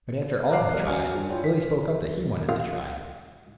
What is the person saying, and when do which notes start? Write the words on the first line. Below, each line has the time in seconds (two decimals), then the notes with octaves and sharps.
But after all had tried, Billy spoke up that he wanted to try.
0.50 A#5 D6 F6 F#6 C7
0.71 G3 A#4 D5 D#5
0.87 C#4 F#4 G#5 F6 C#7
1.15 G2
1.29 E4 F4 C#5 G5
1.44 B6
2.49 A1 F4